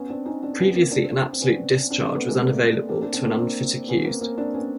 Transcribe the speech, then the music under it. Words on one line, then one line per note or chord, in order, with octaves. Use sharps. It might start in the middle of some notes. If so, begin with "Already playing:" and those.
Previously an absolute discharge was unavailable to an unfit accused.
Already playing: B3 C#4
C4 D4
C#4 D#4
C4 D4
B3 C#4
A#3 C4
C4 D4
C4
B3 C#4
C4 D4
C4 D4
A3 B3
G#3 A#3
A3 B3
A#3 C4
C4 D4
C4 D4
A#3 C4
C4 D4
B3 C#4
A#3 C4
A#3 C4
C4 D4
B3 C#4